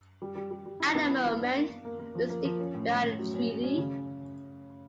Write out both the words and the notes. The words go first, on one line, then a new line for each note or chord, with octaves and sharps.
At the moment, we stick by our treatie.
G3
G3
G3
G3
E4
B3
E4
B3
D4
A#3
A#3
A#3
A#3
F3
A#3
F3
C#4
A2
A2
A2
F#3
C#4
F#3
C#4
C#3